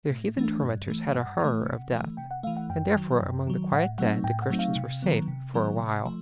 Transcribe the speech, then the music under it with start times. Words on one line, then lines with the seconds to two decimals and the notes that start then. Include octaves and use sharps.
Their heathen tormentors had a horror of death, and therefore among the quiet dead the Christians were safe for a while.
0.11 A2
0.37 E3 A3 D4
0.63 G2
0.88 E3 A3
1.14 G2 F#5
1.40 E3 A3
1.66 C3
1.92 E3 A3
2.17 C3 G5
2.31 F#5
2.43 E3 A3 F5
2.57 F#5
2.70 F#2 G5
2.96 D#3 F#3
3.21 F#2
3.47 D#3 F#3
3.72 A2 F#5
3.98 F#3 A3 C4 D#4 F#5
4.24 A2 G5
4.42 F#5
4.50 F#3 A3 C4 D#4
4.59 F5
4.76 C3
5.02 D#3 F#3 B3
5.28 C3
5.54 D#3 F#3 B3
5.79 C3
6.05 F3 A3